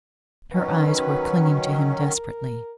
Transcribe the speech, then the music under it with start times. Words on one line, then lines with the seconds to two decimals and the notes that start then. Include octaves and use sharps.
Her eyes were clinging to him desperately.
0.53 D#3 F#3 C#4 B4
2.02 A#4